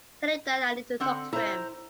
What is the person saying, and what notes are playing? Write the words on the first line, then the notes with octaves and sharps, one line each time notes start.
Tell him that I need to talk to him.
D3 C4 F#5
E4 C5 A#5